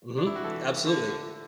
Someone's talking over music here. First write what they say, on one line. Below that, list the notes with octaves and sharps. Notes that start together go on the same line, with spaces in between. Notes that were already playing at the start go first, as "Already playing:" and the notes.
Mhm. Absolutely.
D4
E4
F#4
E3 A4
D3